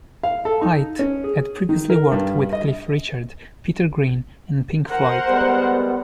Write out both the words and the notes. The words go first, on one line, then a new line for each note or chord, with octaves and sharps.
White had previously worked with Cliff Richard, Peter Green and Pink Floyd.
F5
A4
D#4
C#4
G#4
D#3
A#4
G2
D#5
A#4 C5 F#5
G3 G#3 B3